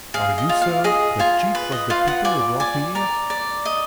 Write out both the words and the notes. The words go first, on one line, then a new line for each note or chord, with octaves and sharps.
"Are you, sir, the chief of the people who brought me here?"
G#4 F5
D#5
F4
F5
G#4 D#5
F4 G#5
B4
D#5
F4 F5
F#5
D5 G#5
D5 G#5
D5 A#5
D5
D#5